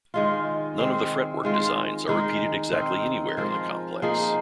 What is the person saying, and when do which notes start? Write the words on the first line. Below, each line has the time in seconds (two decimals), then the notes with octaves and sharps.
None of the fretwork designs are repeated exactly anywhere in the complex.
0.14 D#3 G#3 F4
0.78 D#3 G#3 C4
1.43 D#3 G#3 F4
2.07 D#3 G#3 D#4
2.72 D#3 C4 D#4
3.37 F3 G#3 F4 A#4
4.02 F3 A#3 D#4 G#4